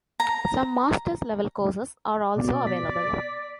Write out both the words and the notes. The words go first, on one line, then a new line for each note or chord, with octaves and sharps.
Some Masters Level courses are also available.
A#5
B2 D5
B6